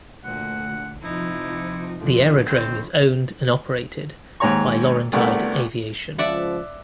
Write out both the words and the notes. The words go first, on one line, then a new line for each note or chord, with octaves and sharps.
The aerodrome is owned and operated by Laurentide Aviation.
D2 A#2 D3 F#5
C3 F3 D#4 E4
F2 A#2 D3 F3
D#2 C4
D#2 G#2 C#5 A#5 C#6
C2 A3 B3 D4 A#4
C#2 F3 D5 E5 F#5